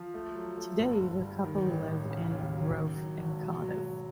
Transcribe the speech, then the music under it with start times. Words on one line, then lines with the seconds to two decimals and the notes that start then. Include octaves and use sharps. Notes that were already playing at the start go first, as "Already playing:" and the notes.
Today, the couple live in Roath in Cardiff.
Already playing: F3
0.14 A3
0.35 F#3
0.57 A3
0.79 G1
1.00 G1
1.22 G3
1.44 D#3
1.66 A1
1.87 A1
2.10 C#3
2.31 D#2
2.53 F#3
2.74 D#3
2.96 F#3
3.18 G#1
3.39 B2
3.62 F#3
3.83 F#3